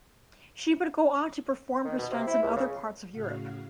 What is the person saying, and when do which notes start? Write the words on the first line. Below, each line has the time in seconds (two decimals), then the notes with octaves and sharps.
She would go on to perform her stunts in other parts of Europe.
1.85 D#3
1.98 B2
2.11 C3
2.27 E4
2.43 C#2
2.56 C#3
3.10 A2 C#3 F#4 F5